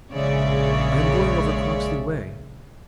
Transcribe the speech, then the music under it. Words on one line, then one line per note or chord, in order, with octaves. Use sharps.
"I am going over Croxley way."
A#1 C#3 G#3 C#5 D5 E5